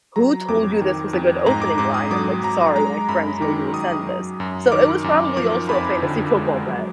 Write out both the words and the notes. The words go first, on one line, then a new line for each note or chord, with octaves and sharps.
"Who told you this was a good opening line?" I'm like, "Sorry, my friends made me send this." So it was probably also a fantasy football bet.
F#3 A#5
F2 D6
D#3
F2
G#2 A#5
D6
G#2 D6
D#6
F#3 D6
F#3 A#5
G#3 A#5
F#2 B5
D#3 D6
F#2 D#6
F#3
F#2
D#3 D6
F#2
F3 D6
F2 B5
D3
G#3
F#3